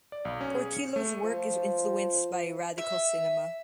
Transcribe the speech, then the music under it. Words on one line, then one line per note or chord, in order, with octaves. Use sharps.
Portillo's work is influenced by radical cinema.
D5
B1
C#4
G#4
C#7
A3
F3
E5